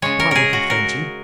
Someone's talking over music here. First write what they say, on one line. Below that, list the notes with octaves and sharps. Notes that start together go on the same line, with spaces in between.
But I won't complain to you!
C#3 G#3 C#5
A#4
G#4 A#4
F#4
A#4